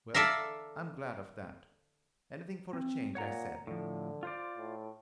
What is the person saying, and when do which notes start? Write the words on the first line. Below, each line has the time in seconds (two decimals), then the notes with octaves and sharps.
"Well, I'm glad of that--anything for a change," I said.
0.14 A4 D5 E5 F5 A#5
2.73 C4
3.15 A#2 C#5 F#5 A#5
3.67 A2 D3 F3
4.23 F4 C5 D5
4.57 A2